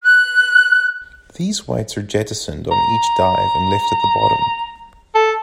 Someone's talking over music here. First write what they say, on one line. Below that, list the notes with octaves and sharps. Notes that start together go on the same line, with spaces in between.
These weights are jettisoned on each dive and left at the bottom.
F#6
A#5
A4